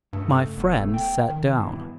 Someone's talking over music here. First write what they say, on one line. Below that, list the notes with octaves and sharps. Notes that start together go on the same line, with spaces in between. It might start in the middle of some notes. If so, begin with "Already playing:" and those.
My friend sat down.
G2 C#3 A3
E1 B2 A3
G5
D#3
G2 B2 E3